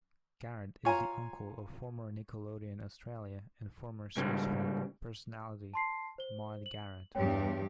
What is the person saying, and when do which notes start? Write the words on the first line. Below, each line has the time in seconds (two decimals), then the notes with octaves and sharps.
Garrett is the uncle of former Nickelodeon Australia and former SourceFed personality Maude Garrett.
0.85 F4 C#5 G#5 A#5
4.17 G#2 C#3 G3
5.74 A5 C6 C7
6.18 C5 G7
6.66 F#7
7.15 E2 G2 G4 C#5 G5